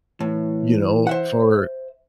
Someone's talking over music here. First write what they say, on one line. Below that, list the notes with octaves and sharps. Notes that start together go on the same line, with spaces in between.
you know, for
A2 E3
C5 E5 F#5